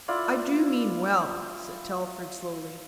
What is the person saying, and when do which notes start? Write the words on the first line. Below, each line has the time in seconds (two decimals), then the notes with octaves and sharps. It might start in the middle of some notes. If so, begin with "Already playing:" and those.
"I do mean well," said Telford slowly.
0.08 E4 F4 D5